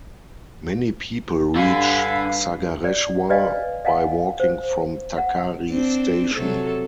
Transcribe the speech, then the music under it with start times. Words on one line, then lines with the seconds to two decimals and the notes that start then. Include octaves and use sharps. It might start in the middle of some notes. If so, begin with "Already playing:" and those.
Many people reach Sagareshwar by walking from Takari station.
1.56 G2 D3 F5 G#5 B5
2.84 D5
3.30 B4 D5 D#5 F5 G#5
3.85 D#5 F5 F#5 G#5
4.40 C5
5.18 F#5
5.71 C4 D4
6.34 C3 F#3 A4